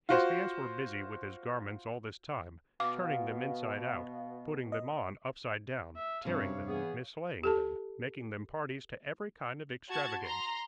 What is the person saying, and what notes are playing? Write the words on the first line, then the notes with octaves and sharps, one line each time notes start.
His hands were busy with his garments all this time: turning them inside out, putting them on upside down, tearing them, mislaying them, making them parties to every kind of extravagance.
F4 F#4 C5
B2 B3 F5 D6
D#5
E5
G2 C3 C#5 F5
E3 B3 G#4
G4 A4 A5
F#4 A5 G#6
A#5 C6